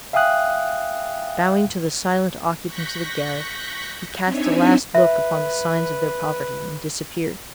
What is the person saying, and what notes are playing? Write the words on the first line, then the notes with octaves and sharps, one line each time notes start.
Bowing to the silent occupants of the garret, he cast a last look upon the signs of their poverty and disappeared.
E5 F5 G5 G#5 D#6 F#6
C#6 F#6 G6 A#6 B6
C4 D4 D#4 C#5 E5 G#5
B4 E5